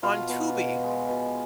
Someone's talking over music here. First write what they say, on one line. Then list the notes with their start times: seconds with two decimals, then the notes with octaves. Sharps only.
on Tubi
0.03 B2 F4 F5
0.29 B2
0.56 B2
0.83 G#3
1.09 B2